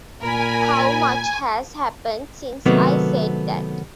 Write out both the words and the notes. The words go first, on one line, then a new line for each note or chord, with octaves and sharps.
How much has happened since I said that!
A#2 A#4 G#5 B5
C3 D#3 F#3 A3 B3